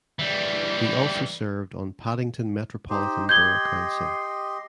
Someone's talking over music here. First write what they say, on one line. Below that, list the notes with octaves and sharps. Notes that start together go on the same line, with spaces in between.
He also served on Paddington Metropolitan Borough Council.
E3 G3
D#4 G4 C5
G4 D#5 C6 G6 G#6 G7